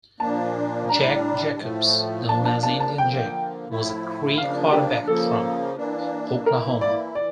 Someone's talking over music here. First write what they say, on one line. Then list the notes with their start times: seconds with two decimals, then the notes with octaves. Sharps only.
Jack Jacobs, known as Indian Jack, was a Cree quarterback from Oklahoma.
0.20 A#2 F3 A#3 D4 A5
0.89 A2 G3 D4 A#5
1.59 A2 F3 A3
2.28 F3 A#3 D4 A5
2.45 A5
2.63 A5
2.80 A5
2.98 D3 F3 A#3 G5
3.67 A2 F3 A3 E4
4.37 C#3 F3 A#3 D4 F5
4.72 G4
5.07 C#3 F3 A#3 A4
5.77 E3 A#3 D4
6.46 E3 A#3 E4 A#4
6.81 D5
7.15 E3 D5